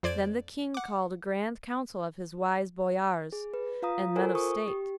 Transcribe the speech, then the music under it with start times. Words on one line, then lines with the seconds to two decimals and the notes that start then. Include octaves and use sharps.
Then the King called a grand council of his wise boyars and men of state.
0.03 F2 C5 D5 G#6 D7
0.74 F#5 D6
3.32 G#4
3.54 B4
3.82 F4 F5 A#5 D#6
4.16 F4 A4 A#4 C5 G#5
4.35 C#6 D#6
4.68 G4